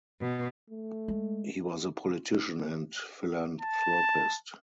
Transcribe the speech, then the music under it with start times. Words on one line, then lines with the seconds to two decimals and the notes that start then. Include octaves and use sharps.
He was a politician and philanthropist.
0.21 B2
0.70 A3
1.08 G#3
3.61 A5